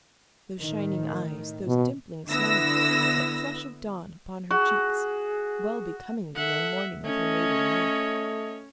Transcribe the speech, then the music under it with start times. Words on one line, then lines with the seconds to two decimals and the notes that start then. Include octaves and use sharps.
Those shining eyes, those dimpling smiles, that flush of dawn upon her cheeks, well becoming the young morning of her maiden life.
0.59 A2 D#3
1.68 B2
2.29 D3 B3 E4 E6 A#6
4.51 F#4 G#4
6.35 A4 E5 F#5
7.04 A3 C#4 C#5 D#5